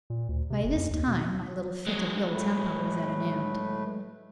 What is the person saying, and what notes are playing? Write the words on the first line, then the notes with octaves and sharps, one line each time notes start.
By this time my little fit of ill-temper was at an end.
A#2
D2
C3
F#1
F2
D#2
B2
F#3 G#3
A2 A3 B4